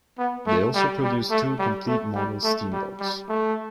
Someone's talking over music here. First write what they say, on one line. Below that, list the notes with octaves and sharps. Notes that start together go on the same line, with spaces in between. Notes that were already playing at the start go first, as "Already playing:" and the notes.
They also produced two complete model steam boats.
B3
A3
G3
G3
A3
G3
A3
G3
A3
G3
G3
A3